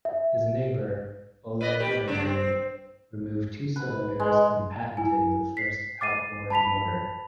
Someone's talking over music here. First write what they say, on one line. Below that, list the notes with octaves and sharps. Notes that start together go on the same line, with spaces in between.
His neighbor, Ole Evinrude, removed two cylinders and patented the first outboard motor.
E5
B4 D5 D#5
A2 G4 B4
C#3 D4
C4
B4
G#3
E4 G#5
B6 C7
D6 A6 C7 D#7
A5 B5 B6 F7